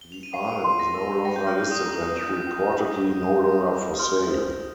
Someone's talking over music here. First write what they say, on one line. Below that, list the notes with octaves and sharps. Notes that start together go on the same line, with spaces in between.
The Island is no longer listed and reportedly no longer for sale.
G7
F7
D#7
F5 C7
C6
A#6
A#4
G5 A#6
G6
F6
G5 G6
D#6
A#5
A#4 D#6
G5
G5
A#4
C6
A#4
C6 F6
C5